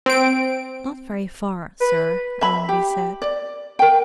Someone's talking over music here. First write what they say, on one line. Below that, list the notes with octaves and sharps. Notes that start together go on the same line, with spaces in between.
"Not very far, sir," Allenby said.
C4 D7
B4
E5 B5
G4
D5
A#4 G5